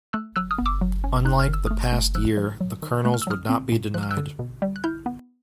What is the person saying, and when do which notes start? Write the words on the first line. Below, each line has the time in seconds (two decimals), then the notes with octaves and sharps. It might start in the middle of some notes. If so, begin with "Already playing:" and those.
Unlike the past year, the Colonels would not be denied.
0.13 A3 E6 F#6
0.36 F#3 E6 F#6
0.51 D#6 F6
0.58 B3
0.66 D6 E6
0.81 F#3
1.04 C#4
1.25 D#4 F#6
1.39 F6
1.48 D#3
1.54 E6
1.67 A3 D#6 F6
1.93 A3
2.15 F3 E6 F#6
2.37 F3
2.61 F#3
2.83 D#3
3.05 A3 F#6
3.14 F6
3.22 E6
3.27 F#3 D#6 F6
3.49 C4
3.72 A#2
3.94 F3 F#6
4.03 F6
4.11 E6 F#6
4.17 D3
4.39 B2
4.62 G3
4.76 F#6
4.84 E4 F6 G6
5.06 B3